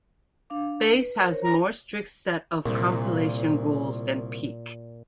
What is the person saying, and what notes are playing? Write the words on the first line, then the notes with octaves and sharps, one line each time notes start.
Base has a more strict set of compilation rules than peak.
D4 F5 D6
B4
A#4 C5 C#5
A#5
C2 A#2